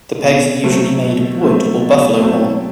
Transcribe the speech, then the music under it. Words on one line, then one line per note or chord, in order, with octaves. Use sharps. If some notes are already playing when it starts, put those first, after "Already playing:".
The pegs are usually made of wood or buffalo horn.
B2
F#3 A3 C4
B2
F#3 A3 C4
B2
F#3 A3 C4